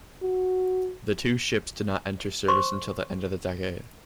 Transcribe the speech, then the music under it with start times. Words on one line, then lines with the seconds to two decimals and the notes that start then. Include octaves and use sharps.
The two ships did not enter service until the end of the decade.
0.22 F#4
2.48 C5 C6 C#6